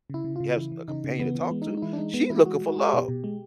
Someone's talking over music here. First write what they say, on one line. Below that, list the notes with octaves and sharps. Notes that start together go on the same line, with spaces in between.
have s a companion to talk to. She looking for love.
C#3 E4
C#3
C#3 F4
E3 E4
E3
C#3 D#4
C#3
E3 B3
E3
B3
G#3
G#3 D#4
D#4
E3 E4
D4
G#3 D#4
G#3 B3
E3 E4
G#3 F#4
G#3
F#4
G#3 G#4
G4
B2
B2
G#3